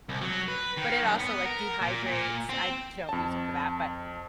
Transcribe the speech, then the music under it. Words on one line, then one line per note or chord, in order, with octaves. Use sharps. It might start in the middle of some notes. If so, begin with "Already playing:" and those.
but it also, like, dehydrates, I don't use it for that, but
C2
F#3
B4
D#3
F#2
B3
A#4
A#2
A#2
C4
F2 A5